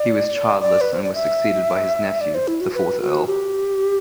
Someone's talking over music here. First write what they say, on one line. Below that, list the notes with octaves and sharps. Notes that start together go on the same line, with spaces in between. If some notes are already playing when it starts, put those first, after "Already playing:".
He was childless and was succeeded by his nephew, the fourth Earl.
Already playing: D5
D5
B4
C5
D5
E5
D5
C5
E4
F#4
B4
F#4
G4